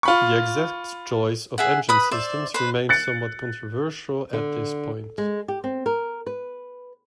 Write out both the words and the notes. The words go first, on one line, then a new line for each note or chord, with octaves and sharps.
The exact choice of engine systems remains somewhat controversial at this point.
F4 B5 C#6
G#4 E5 F#5
B4 B5 D#6
C5 D5 E5
B4 C5
F#6 A6 C#7
D3
G#3
G4
C4
A#4
B4